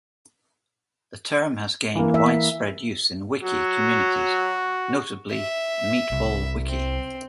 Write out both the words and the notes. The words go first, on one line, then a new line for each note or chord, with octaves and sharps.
The term has gained widespread use in wiki communities, notably MeatballWiki.
E3 A#3
E5
F#3 F#4
E5
C2
C4